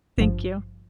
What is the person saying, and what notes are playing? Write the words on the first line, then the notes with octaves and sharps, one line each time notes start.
Thank you.
G#1 G2 F3